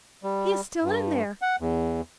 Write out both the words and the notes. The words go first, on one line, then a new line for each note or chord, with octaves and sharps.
'He is still in there!
G3
G2
F#5
E2